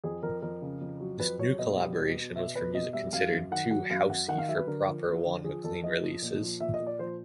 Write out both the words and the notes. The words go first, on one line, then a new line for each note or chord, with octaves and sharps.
This new collaboration was for music considered "too 'housey' for proper Juan Maclean releases".
F2 G#4
F2 A#4
F2 A#4
C#3
F2
F#3
F2 B4
F#3 C#5
B2 D#5
G3
B2
B2
B2 E5
B2 B4
B2 D#5
G3 E5
F#2 F5
F#2
D#3 F#5
F#3 F#5
F#2 F5
F#2 F#5
D#3 F#5
F5
F#3 E5
B4
D3 A#4
F3
F3
D3
F3 G#4
F2 A4
F3 D#5
F3
A#2
F3
A#2 E5
D#5
A#2
D5
F3 C5